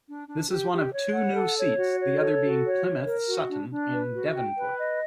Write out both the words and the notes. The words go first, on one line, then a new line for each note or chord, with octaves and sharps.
This is one of two new seats, the other being Plymouth Sutton and Devonport.
D4
D4
G4
G4
C#5
F#5
A4
C#5
F#4
C#5
A4
F#4
C#5
C#5
A#4
F#4
D4
D4
B4
F#4
G5
B4
D#5